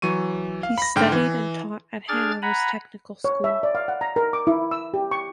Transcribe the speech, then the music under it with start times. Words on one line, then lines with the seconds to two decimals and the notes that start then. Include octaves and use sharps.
He studied and taught at Hanover's technical school.
0.02 E3 F#3 C#6 D#7
0.63 F5
0.78 B5 A#6
0.96 G#2 D3 G5 F6
1.12 E3
2.08 D4 G#4 D6 F6 G#6 A6
2.42 F#5 G#5 A#5 B5
3.24 C#5
3.44 E5
3.63 D5
3.75 F5
3.88 F#5
4.01 A#5
4.16 A#4
4.33 D6
4.47 E4
4.71 E6
4.94 G4
5.11 C#6